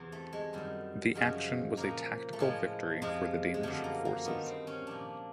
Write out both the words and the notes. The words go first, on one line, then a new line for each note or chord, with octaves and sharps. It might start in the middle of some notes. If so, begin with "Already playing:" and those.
The action was a tactical victory for the Danish forces.
Already playing: E2 C3 E3
A3
G#3
F#2 D#3 G3
F#2 C#3 F3 G#3
A#2 F3 A#3
A3
A2 F3 G#3
F2 C3 F3 G#3
G#3
F#2 D3 F3 A3
A#3
A#3
G2 D#3 B3
C4
C#4
A#2 F3 D4